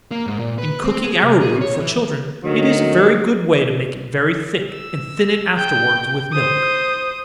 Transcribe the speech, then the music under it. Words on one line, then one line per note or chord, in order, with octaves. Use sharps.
In cooking arrow-root for children, it is a very good way to make it very thick, and thin it afterwards with milk.
A#3
G#2
A#2
B4
C4
G#4
C3
G#4
C#5
E3
D2 G#2 D#3 F#3
E6
G5 G6
C5 D#6